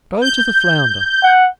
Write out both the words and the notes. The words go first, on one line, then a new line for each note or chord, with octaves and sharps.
Go to the flounder.
G6
F#5